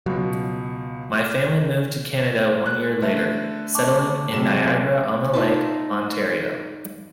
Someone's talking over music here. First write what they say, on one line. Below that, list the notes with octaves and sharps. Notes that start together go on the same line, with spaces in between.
His family moved to Canada one year later, settling in Niagara-on-the-Lake, Ontario.
C#2 B2 F#3
F#6
D3 A3
A5 C#6 D6
F#1 C3 F#3 E7
D#4 F4 E5 A5